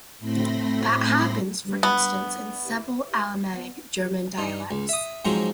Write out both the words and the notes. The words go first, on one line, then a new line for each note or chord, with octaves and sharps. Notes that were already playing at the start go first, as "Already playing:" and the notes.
That happens, for instance, in several Alemannic German dialects.
A2 A3 C4 B5 C6 A#6
B3
G2 D#4
C#2
E5 D#6
G#2 F3 F#3 G#3 C4 A#5